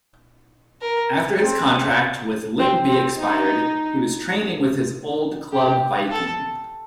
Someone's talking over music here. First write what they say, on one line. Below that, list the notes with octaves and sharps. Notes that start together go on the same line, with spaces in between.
After his contract with Lyngby expired, he was training with his old club Viking.
A#4
C4
C4
C4
D#4
G4
A4